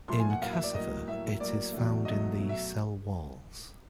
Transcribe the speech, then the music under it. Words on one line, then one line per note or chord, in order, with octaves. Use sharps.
In cassava it is found in the cell walls.
A#2 F3 A3 C6
G#5
F#5
A2 F#3 A#3 F5
E5
D5
A2 F#3 A#3 D#5
A2 F#3 A#3 E5
A2 F#3 A#3 D5
E2 B2 F#3 A3
E2 B2 F#3 A3 D#5
B2 F#3 A3
E5